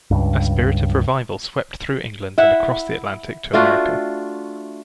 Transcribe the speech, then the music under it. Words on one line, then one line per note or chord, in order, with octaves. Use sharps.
A spirit of revival swept through England and across the Atlantic to America.
C#2 G2
E4 E5 F#5
A3 D4 F4 F#4